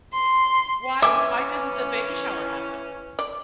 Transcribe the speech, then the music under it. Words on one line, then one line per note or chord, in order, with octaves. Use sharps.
Why why didn't the baby shower happen?
C6
E3 C#4 E5 G#5 D6
D5